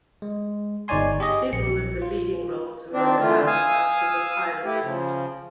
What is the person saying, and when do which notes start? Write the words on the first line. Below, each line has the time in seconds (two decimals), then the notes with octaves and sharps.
Several of the leading roles were recast after the pilot.
0.22 G#3
0.88 G1 D#4 C#5 D5 G#5 C6
1.20 G4 G#4 D#5
1.53 A#1 C#7
2.02 F4
2.92 D#3 C4 D4
3.20 D3 E3 A3 F4
3.47 F5 G#5 D#6 E6
4.65 A3 E4 G4
4.83 C#3 F3